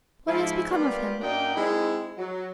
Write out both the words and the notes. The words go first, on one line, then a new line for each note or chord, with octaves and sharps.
"What has become of him?"
G#2 F3 E4
G3 A#3 B3 D4 F4 G4
F#2 F#3 A#3 D4 D#4 G5
G#3 C4 D#4 E4
F#3